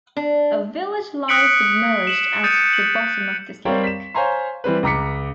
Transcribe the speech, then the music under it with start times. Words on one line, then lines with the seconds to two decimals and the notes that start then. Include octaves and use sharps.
A village lies submerged at the bottom of this lake.
0.16 D4
1.28 D#6 F#6 B6 C#7 D7 F#7
2.07 E7 F#7
2.43 D#6 G6 A6 C#7 D#7
2.73 F#7
3.65 G3 C4 A#4 C#5 F5 G5
3.84 B6 E7
4.14 C5 C#5 F5 G#5 A#5 C6
4.64 E3 G3 C4 B4
4.83 C#2 A#5 D6 B6 C#7